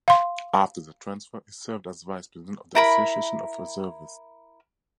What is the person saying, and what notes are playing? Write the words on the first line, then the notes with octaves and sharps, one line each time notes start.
After the transfer, he served as vice-president of the Association of Reservists.
F5 C6
E4 A#4 B5